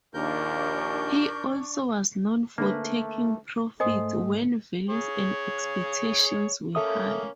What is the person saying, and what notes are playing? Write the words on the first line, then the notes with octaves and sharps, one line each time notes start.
He also was known for taking profits when values and expectations were high.
A#1 D#2 D4 A#4 C#6 G6
D3 A3 A#3 C#4 B4
G#2 A3 C5 D#5 G#5 D#6
G#4 C#5
A#3 C#4 A4 E5 D#6